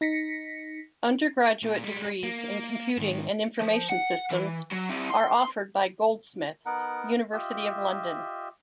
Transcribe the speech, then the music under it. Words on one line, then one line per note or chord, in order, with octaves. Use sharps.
Undergraduate degrees in Computing and Information Systems are offered by Goldsmiths, University of London.
D#4 A#6 B6 C#7
A#2
G3 G#3
A#3
G#2 D#3
F3
F#5
E3
F#3
C4 E4
C6
B3 D#4 A#4 F#5
F4 G4 D#5 E5